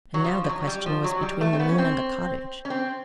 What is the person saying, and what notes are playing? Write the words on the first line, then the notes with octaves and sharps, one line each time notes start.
And now the question was between the moon and the cottage.
F#3
F3
F3
F#3
G3
F3
F#3
G3
A3
C4
B3
C#4
C4
C#4
C4